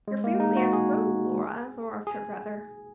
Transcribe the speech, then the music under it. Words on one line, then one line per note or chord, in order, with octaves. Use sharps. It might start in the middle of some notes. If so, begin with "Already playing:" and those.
"Your family has grown, Lora," remarked her brother.
G#3
A#3
D#4
F#4
G#4
G#4